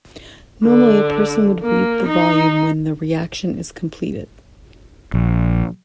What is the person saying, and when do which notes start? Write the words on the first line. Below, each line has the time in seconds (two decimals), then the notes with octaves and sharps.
Normally a person would read the volume when the reaction is completed.
0.65 D3
1.63 A#3
2.07 D#4
5.14 A#1